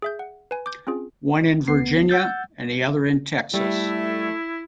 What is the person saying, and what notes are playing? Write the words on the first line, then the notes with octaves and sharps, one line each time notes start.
One in Virginia and the other in Texas.
G#4 E5 G6
F#5
B4 G#5
D6 G6
C4 C#4 F4 G#4
D2 B3 C7
F#5 E6 G6 A6
G3 A3 E4